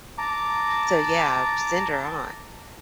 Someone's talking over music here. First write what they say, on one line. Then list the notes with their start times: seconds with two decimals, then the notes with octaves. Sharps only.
So, yeah, send her on."
0.18 A5 A#5 D6